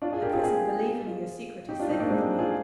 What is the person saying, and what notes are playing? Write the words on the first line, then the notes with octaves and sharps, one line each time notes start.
At present, believe me, your secret is safe with me.
D4 F4
F4 G#4
G4 A#4
F4 G#4
F4 G#4
F4 G#4
D#4 G4
D4 F4
C4 D#4
A#3 D4
G#3 C4
F4 G#4